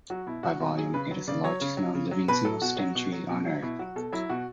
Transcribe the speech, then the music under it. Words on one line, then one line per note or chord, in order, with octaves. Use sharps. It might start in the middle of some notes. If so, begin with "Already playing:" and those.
By volume, it is the largest known living single stem tree on Earth.
F#3 F#4
B2 E4
F#3 F#4
B2 F#4
F#3 G#4
C#3 B4
F#3
C#3 D5
F#3 C#5
C#3
F#3
C#3
F#3
B2 B4
F#3 A4
B2 F#4
F#3
B2
F#3
B2
F#3
B2 E4
F#3 F#4
B2 A4
F#3 E4
B2 F#4